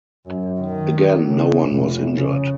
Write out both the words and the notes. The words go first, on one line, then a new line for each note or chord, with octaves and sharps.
Again, no one was injured.
F#2
D#3
C#3
F1
C#3